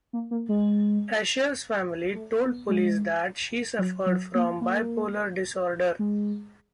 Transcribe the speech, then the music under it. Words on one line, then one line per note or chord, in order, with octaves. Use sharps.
Asher's family told police that she suffered from bipolar disorder.
A#3
A#3
G#3
A3
A#3
B3
G#3
F#3
F#3
A#3
A#3
G#3